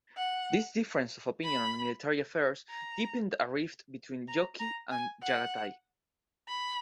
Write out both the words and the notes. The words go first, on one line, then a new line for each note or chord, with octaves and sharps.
This difference of opinion on military affairs deepened a rift between Jochi and Chagatai.
F#5
B5
A#5
A#5
A#5
G#5
F#5
B5